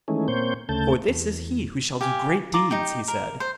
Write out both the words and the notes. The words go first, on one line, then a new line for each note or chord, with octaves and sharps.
'For this is he who shall do great deeds,' he said.
D#3 E3 G#3 A3 C#4
A#2 A#3 C4 C5 C#5 G6
D2 C#3 A3 A5 G6
E2
G4 F5 G#5
F4 A#5 D6
D#4 G4
A#4
C5